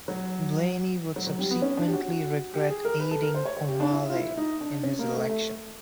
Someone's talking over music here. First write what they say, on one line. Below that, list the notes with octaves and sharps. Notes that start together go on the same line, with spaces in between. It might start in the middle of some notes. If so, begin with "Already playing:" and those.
Blaney would subsequently regret aiding O'Malley in his election.
F#3
F#3
F#3
G3
B3
C#4
D4
G4
F#4
G4
G#4
A#4
B4
A4
A#4
C5
C#5
C#5
G4
D4
E4
F4
E4
D#4
D4
C#4
A#3
A3
A3